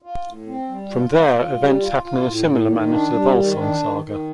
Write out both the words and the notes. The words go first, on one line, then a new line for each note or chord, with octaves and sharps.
From there events happen in a similar manner to the Volsung Saga.
F4
A2
C4
G3
F4
F4
F4
G3
F4
F4
A2
A2
D#3
D4
G3
D#3
D4
D#3
D#3